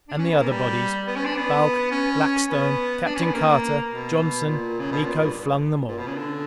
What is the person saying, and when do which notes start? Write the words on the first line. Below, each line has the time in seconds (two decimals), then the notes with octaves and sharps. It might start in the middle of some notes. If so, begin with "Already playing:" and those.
And the other bodies, Balch, Blackstone, Captain Carter, Johnson--Miko flung them all.
0.08 D4
0.18 C#4
0.29 B3
0.39 A#3
0.50 G3
1.07 B3
1.16 C#4
1.25 D4
1.36 B3
1.91 C#4
2.49 B3
3.06 D4
3.15 C#4
3.24 B3
3.34 A#3
3.90 B2
4.46 A#2
4.79 C#3
4.91 B2
5.03 A#2
5.18 G2
5.88 A#2
5.98 B2
6.07 C#3
6.17 D3